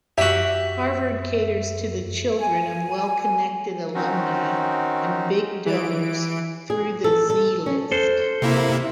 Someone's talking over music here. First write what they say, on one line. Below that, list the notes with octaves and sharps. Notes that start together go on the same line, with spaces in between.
Harvard caters to the children of well-connected alumni and big donors through the "Z-list".
F#2 F#4 G4 E5
G#5
D#3 C4 C#4 D#4 F#4
E3 D7
G#4
A4
A4
C#4
A4 C5
C3 A#3 E4